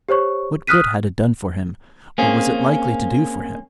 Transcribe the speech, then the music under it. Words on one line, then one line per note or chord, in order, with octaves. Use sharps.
What good had it done for him, or was it likely to do for him?
G4 C5 C#5 C#6
D#6 F6 F#6 B6 D#7
A#3 C4 C#4 G#4